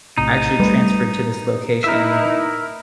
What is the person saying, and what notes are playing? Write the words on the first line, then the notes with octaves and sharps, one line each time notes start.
I actually transferred to this location.
A#1 A2 C3 D#4
G3 A3 B4
D#4 E4 A#4 E5